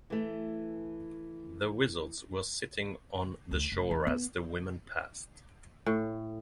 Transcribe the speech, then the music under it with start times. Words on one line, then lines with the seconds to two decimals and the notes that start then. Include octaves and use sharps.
The wizards were sitting on the shore as the women passed.
0.10 E3 A3
3.51 D2
3.72 F1
3.91 E2
4.07 B3
5.86 A2